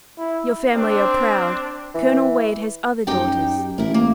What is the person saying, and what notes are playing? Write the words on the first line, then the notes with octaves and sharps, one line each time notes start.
Your family are proud. Colonel Wade has other daughters.
E4
C4 D4 C5
E3
F#2 D#4 G4 G5
A1 E4 A#4
A#3